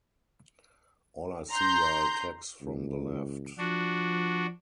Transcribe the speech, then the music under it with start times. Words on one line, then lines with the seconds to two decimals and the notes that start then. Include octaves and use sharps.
All I see are attacks from the left.
1.52 A#5 C6 G6
2.62 C#2
3.58 F3 D4 F#4